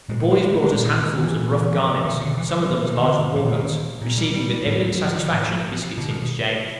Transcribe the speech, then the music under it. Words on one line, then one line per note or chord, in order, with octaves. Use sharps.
The boys brought us handfuls of rough garnets, some of them as large as walnuts, receiving with evident satisfaction biscuits in exchange.
A#2 G#3
A3
G#3
G#3
A3
G#3
A#2 D#3
D3
D#3
E3
A#2
F3
B2 D#3
D3
E3
F3
F#3
B2 E3
D#3
D3
D#3
A#2 E3
D#3
A#2
G3
G3
G3
A2 G3
F#3
F3
D#3
D#3
A2 E3
F3
B2 D3
D#3